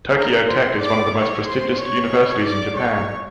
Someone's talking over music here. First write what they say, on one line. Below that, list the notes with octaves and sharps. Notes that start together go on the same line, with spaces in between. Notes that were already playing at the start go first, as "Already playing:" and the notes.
Tokyo Tech is one of the most prestigious universities in Japan.
A#4 A#5
C5 C6
D5 D6
C#5 C#6
C5 C6
C#5 C#6
D5 D6
C#5 C#6